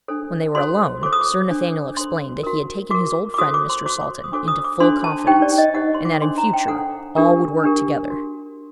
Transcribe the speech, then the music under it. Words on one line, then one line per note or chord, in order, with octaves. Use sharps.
When they were alone, Sir Nathaniel explained that he had taken his old friend, Mr. Salton, into full confidence, and that in future all would work together.
D4 A4 C5
F#4 A4 C5 C6
F#4 A4 C5 D6
D#6
D6
D4 A4 C5
D4 A4 C5 C6
F#4 A#4
F#4 A#4 D6
D6
F#4 A4 C5 D#6
D6
C6
F#4 A4 C5 D6
D6
D#6
D4 F#4 A4 C5 D6
D#6
D6
D4 F#4 A4 C5 C6
A5
D#4 G4 C5 G5
D5
D#5
D#4 G4 C5 F#5
C6
D6
D4 A4 C5 C6
A#5
G5
D4 A4 C5 F#5
D4 G4 A#4
D4 G4 A#4
F#4 A#4